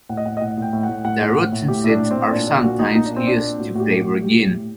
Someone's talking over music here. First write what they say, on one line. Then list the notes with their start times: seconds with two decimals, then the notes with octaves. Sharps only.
The roots and seeds are sometimes used to flavor gin.
0.09 A2 F#5
0.17 D#5
0.25 A2 F#5
0.37 D#5
0.41 A2 F#5
0.57 A2 G5
0.73 A2
0.83 F#5
0.89 A2
1.04 A2 F#5
1.21 A2
1.36 A2
1.52 A2
1.68 A2 G4
1.84 A2
1.90 D4
2.00 A2
2.11 A2 C4
2.31 A#2 D4
2.47 A#2 D4
2.63 A#2 F#4
2.79 A#2 D#4
2.95 A#2 D#4
3.05 D4
3.11 A#2
3.16 C4
3.27 A#2 D4
3.43 A#2
3.59 A2 F#4
3.75 A2 F#4
3.80 G4
3.90 A2
4.01 F#4
4.06 A2
4.22 A2 G4
4.38 A2
4.54 A2